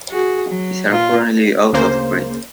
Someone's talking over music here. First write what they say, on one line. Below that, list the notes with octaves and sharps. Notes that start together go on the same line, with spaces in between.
These are currently out of print.
F#4 G#4
F#3
A#2 F4
D2 C#3 A#3 C5